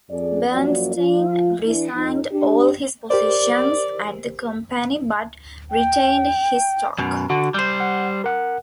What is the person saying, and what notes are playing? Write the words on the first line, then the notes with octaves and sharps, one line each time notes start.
Bernstein resigned all his positions at the company but retained his stock.
F2 G#4 D5
F#2 F3 F#3 A#3 D5
F3 F4
E3 D4
F2 D#4
D4 G4
G4 A#4 C5 D5
G5
F#2 B2
D3 F#4
G3 C5 G6
F#5
A#4 F#5